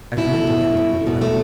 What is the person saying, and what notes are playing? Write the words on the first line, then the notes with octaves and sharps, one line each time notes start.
I remember that evening well.
B2 E4
A3
B2
A3
B2
A3
B2
A3